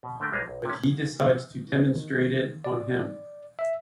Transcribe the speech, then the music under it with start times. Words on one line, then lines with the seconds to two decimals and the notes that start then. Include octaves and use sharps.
But he decides to demonstrate it on him.
0.03 B2
0.20 D3 A3 A#3 G5
0.32 B1 G3 G#3 A#3 G#4 A#5
0.48 B1
0.65 C3 C#4
1.96 D#3
2.64 D5
3.59 E5